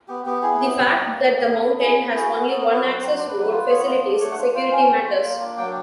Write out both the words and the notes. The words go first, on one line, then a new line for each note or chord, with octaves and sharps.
The fact that the mountain has only one access road facilitates security matters.
B3 G4
B3 G4
E4 G#4
G#4
B3
G4
G3 G4
D#4
A#3
A#3
B3
E4
E4 G#4
E4
F#4 G#4
B3 G#4
B3 A4
A#4
F#4 B4
F#3 B4
F#3 C5
D4 C5
B4
F#3
B4
F4 B4
B3 C#5
F4 D#5
D4
A3 C#5
F#5
F4
F4 G5
C#4 G5
G3
F4
A#3
D4
F#3 G5